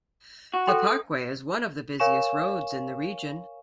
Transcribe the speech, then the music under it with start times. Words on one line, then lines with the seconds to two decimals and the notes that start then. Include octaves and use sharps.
The parkway is one of the busiest roads in the region.
0.54 F#4
0.67 A4 G5 C6
0.83 A4 D#6
2.00 A#4 C#5 F5 G#5 C#6 E7